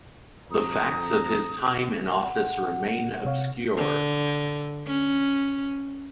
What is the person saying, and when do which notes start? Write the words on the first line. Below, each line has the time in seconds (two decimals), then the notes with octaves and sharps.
The facts of his time in office remain obscure.
0.51 F2 A4 A#5 D#6
2.14 F#5
3.25 C3 C#5 F5
3.77 D3
4.87 C#4